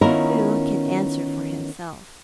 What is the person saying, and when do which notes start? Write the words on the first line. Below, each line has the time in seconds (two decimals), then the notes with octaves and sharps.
Who can answer for himself?
0.01 D#3 B3 C#4 E4 F4 A#4